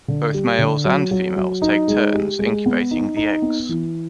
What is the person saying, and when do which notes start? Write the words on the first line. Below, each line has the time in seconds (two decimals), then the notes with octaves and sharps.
Both males and females take turns incubating the eggs.
0.08 D3
0.34 G3
0.59 D3
0.85 F#3
1.11 F#3
1.36 F#3
1.62 D#4
1.88 G#3
2.14 G4
2.39 G#3
2.66 B3
2.91 D#4
3.17 D#4
3.42 B3
3.69 E3